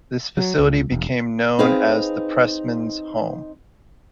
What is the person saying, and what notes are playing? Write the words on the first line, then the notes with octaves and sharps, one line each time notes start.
This facility became known as the "Pressmen's Home".
F#3
C#2
E1
C4 D#4 G#4 B4 D#5 F5